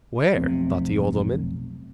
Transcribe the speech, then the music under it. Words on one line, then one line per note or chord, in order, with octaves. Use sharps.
"Where?" thought the old woman.
F1 B1 C3